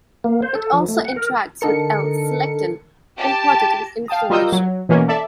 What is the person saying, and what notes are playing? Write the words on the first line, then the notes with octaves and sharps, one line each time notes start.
It also interacts with L-selectin, important in inflammation.
A#3
C5
A4
F3
A3
F#5
A#4
D3 D#4 A4 A#4 C#7
G4 A5
F5 G5 A5 D#6
G3 F4 A#4 D#5 E6 G6
F#3
B2 E3 A#3 C#4
A4 D5 E5 A5